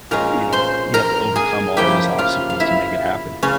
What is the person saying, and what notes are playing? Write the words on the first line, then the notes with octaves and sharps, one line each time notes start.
you know, you have to overcome all those obstacles to make it happen.
A#2 G#3 C#4 A#4 A#5
C5 C6
A#4 A#5
G#4 G#5
C#3 F3 A#3 E4 G4 G5
F4 F5
F5
E4 E5
C#3 C#4